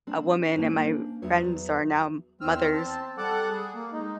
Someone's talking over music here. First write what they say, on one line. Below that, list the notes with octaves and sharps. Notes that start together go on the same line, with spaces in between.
a woman and my friends are now mothers,
C4 D4
A#3 C#4 D4 C5
E2 E3 F#3 C#5
E2 C4 E6 F6
C4 A5
G3 A4 F#5 A5 D6
G#4
A#3
G#3 D#4